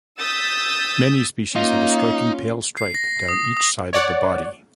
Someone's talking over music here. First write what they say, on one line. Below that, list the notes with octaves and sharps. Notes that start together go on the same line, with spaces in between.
Many species have a striking pale stripe down each side of the body.
D#6 E6 G6 A6 B6
A#3 C#4 D#4 F4
C7
A#6
D#6
D#6
D#6
C#5 D5 F#5